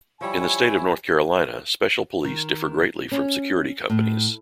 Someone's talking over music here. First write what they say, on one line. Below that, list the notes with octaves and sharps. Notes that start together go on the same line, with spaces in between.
In the state of North Carolina, special police differ greatly from security companies.
F3 G3 E4 C#5 G#5
D#3
C#4
A2